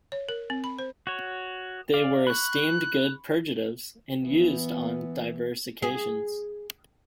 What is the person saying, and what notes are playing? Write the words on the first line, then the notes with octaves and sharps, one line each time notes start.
They were esteemed good purgatives, and used on diverse occasions.
C#5
A#4
C4
B5
C5
F#4 C#5
D5 F5
B5 C#6 F#6
E3 B3
G#4